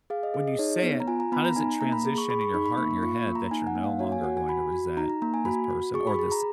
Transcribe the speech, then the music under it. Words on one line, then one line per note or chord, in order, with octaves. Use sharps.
When you say it, how does it transition in your heart and your head that you're no longer going to resent this person or this
G#4 F5
D#5
G#4
D#5
D#4 C#5
B3
A#5
F4 G#5
A#5
B3 B5
A#5
D#4 G#5
A#3 A#5
B5
G#4
C#6
G#4 B5
C#6
D#4 B5
B5
A#3 C#6
B5
F4 C#6
B5
A#3
A#5
D#4 G#5
F#5
A#3
F5
F#4 C#5
G#5
F#4 F#5
G#5
F#4 B5
F#4
D#4 A#5
A#5
A#3 A#5
G#5
F#4 B5
F#4
G#4 C#6
B5
G#4
A#5